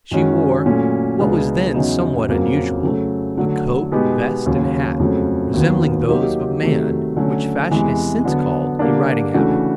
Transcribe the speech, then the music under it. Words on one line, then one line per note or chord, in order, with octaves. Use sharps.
She wore, what was then somewhat unusual, a coat, vest, and hat, resembling those of a man, which fashion has since called a riding habit.
F#2 D#3 G#3 C#4 F#4
A#2 F#3 A3 C#4
C#2 B2 G#3 B3 D4
E2 C#3 F#3 B3 D#4
F2 C#3 F#3 A#3
C#3 F#3 A3
D3 F#3 A3
B2 G#3 B3 D#4 G4
D#2 C#3 F#3
F2 C#3 F#3 A3
D#2 D#3 F#3 B3
F#3 A#3 D#4 G4
C3 D#3 F#3 A3
D3 F#3 A3 C#4 F#4
E2 C3 E3 G#3
D3 F#3 B3
D3 G3 A#3 D4
C#3 E3 A3 D4 F#4